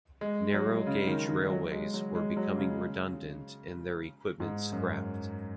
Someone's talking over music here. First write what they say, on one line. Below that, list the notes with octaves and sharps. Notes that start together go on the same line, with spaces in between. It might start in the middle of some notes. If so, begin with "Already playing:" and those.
Narrow-gauge railways were becoming redundant and their equipment scrapped.
G#3
F#3
C#3
D#3
D#3
F#3
G#3
F#3
G#3
F#3
C#3
G#2
F#2